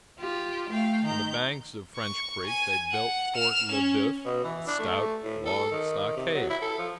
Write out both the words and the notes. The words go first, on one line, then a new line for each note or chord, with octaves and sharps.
On the banks of French Creek they built Fort Le Boeuf, a stout log-stockade.
F4 G4
A3 F5 G5
D#3 A#5 G6
C#6
G#5 D#7
F#5
F6 E7
C#4
B2
E3
D4
A3
A2
A4
D#3
C3
F#3
E4
A4
F3